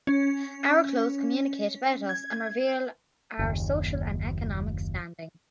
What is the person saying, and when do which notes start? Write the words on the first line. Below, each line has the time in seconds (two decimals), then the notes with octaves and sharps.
Our clothes communicate about us and reveal our social and economic standing.
0.07 C#4
2.09 G#6
3.39 F#1 D#2